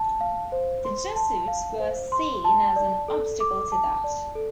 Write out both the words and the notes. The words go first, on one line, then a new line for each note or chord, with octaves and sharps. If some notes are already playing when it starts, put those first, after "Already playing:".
The Jesuits were seen as an obstacle to that.
Already playing: A5
F5
C5
C6
A5
F5
C5
C6
A5
D5
A4
D6
A5
D5
A4